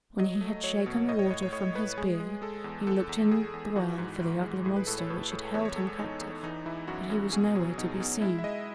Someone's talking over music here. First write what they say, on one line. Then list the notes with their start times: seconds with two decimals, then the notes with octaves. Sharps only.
When he had shaken the water from his beard, he looked in the well for the ugly monster which had held him captive, but he was nowhere to be seen.
0.19 F#3 D#5
0.41 A3
0.64 F#3 C#5
0.86 B2
1.08 A2 D#5
1.19 C#5
1.30 A2 D#5
1.42 C#5
1.53 A2 C#5
1.75 A2 B4
1.98 G#3 G#4
2.20 G#3
2.42 G#3 A4
2.64 E2
2.87 E2 A4
3.09 E2
3.31 E2 G#4
3.54 E2
3.76 E3 F#4
3.98 G#2
4.20 E3
4.42 G#3
4.65 A2 G#4
4.76 B4
4.87 A2 A4
4.98 C#5
5.10 A2 B4
5.32 A2
5.54 E2 C#5
5.65 C#5
5.76 G#3 A4
5.87 G#4
5.99 E2 D#4
6.21 E2
6.43 E3 D#4
6.65 E3 E4
6.87 F#2 F#4
7.10 F#2
7.33 B2 G#4
7.55 F#3
7.78 B2 D#4
8.00 B2
8.21 G#3 E4
8.39 E5
8.44 G#3 D#5